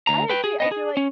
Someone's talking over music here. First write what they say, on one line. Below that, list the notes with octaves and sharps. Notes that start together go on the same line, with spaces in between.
I agree. I feel like
D2 A#5
B4 G5
G#4
B3 D#5
G#4
C#4